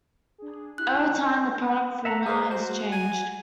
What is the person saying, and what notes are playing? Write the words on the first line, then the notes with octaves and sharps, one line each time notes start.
Over time the product formula has changed.
D4 G#4
E4 G4 E5 F#6
E5 F#5 A#5
G#3 G#4 B4 C5
F#4 C5
G#5